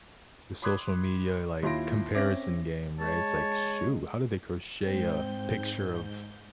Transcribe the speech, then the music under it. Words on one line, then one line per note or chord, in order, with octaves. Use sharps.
The social media, like, comparison game, right, it's like, "Shoot, how did they crochet a picture of
B5 C6 D6 D#6 F#6 G#6
D#2 E4 F4 C6 A#6 D7
C4 C#4 E5 D6 A#6 D7
G#3 C#5 A5
G#2 C4 G6